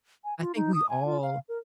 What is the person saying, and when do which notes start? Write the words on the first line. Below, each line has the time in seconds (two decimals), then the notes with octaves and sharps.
I think we all
0.24 G#5
0.40 F4
0.55 D#4
0.74 D#6
0.90 G#5
1.06 F4
1.22 F5
1.49 A#4